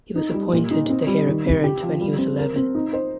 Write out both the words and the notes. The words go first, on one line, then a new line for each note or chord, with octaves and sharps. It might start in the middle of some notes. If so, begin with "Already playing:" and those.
He was appointed the heir apparent when he was eleven.
D#4
G3
A#2
D#4
C4
G3
D#3
C3
G4
F3
G3
C4
A#4
C4
D#4
C5